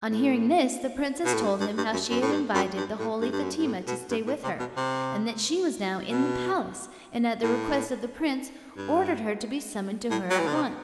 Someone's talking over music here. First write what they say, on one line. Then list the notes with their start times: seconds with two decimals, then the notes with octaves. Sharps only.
On hearing this, the princess told him how she had invited the holy Fatima to stay with her, and that she was now in the palace; and at the request of the prince, ordered her to be summoned to her at once.
0.10 A2
1.25 B2
1.34 A2
1.44 G2
1.60 G2
1.77 G2
1.93 F#2
2.10 F#2
2.22 A2
2.32 G2
2.54 F#2
2.77 G2
2.99 A2
3.21 G2
3.32 G2
3.43 F#2
3.58 G2
3.65 A2
3.87 B2
4.10 G2
4.27 A2
4.43 C3
4.60 B2
4.77 C3
6.10 B2
7.43 A2
8.77 G2
10.11 A2
10.30 F#3
10.39 E3
10.47 D3
10.54 C3